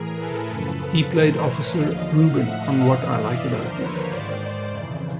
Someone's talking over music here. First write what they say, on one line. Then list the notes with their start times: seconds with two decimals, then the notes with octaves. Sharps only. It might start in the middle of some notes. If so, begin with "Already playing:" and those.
He played Officer Rubin on "What I Like About You".
Already playing: A2 E3 G#4 A#4
0.17 A4 B4
0.48 F#2 C#3 F3
1.08 A2 E3 A#4 C5
1.38 B4 C#5
1.68 D#2 D3 F3 D#5 F5
2.28 A2 F3 E5 F#5
2.58 D#5 F5
2.88 G2 E3 D#5 F5
3.18 D5 E5
3.48 D#2 D3 F3 A#4 C5
3.78 B4 C#5
4.08 G#2 D#3 C5 D5
4.69 F2 C#3 E3